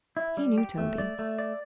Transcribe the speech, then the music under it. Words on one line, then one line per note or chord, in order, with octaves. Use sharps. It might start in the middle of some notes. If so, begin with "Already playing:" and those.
He knew Toby.
E4
G3
G4
A3
D5
A3
D5